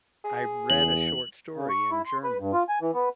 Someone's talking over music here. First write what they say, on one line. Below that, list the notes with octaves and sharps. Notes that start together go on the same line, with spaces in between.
I read a short story in German,
G#4
E2 F#7
C#3
C#6
E4
C6
B4
G2
F4
G#5
E3
B3